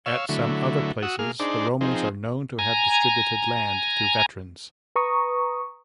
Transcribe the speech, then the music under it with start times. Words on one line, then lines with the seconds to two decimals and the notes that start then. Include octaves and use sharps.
At some other places the Romans are known to have distributed land to veterans.
0.06 C#5 F5 E6
0.29 D3 F#3 A3 E4
1.03 F#4 F#5 D#6 E6
1.19 A#3 G#4 F6
1.40 D4 D#4 G#4 C5 D5
1.81 F3 C4 D#4 G#4
2.59 G#5 A#5
4.96 B4 A#5 C#6 D#6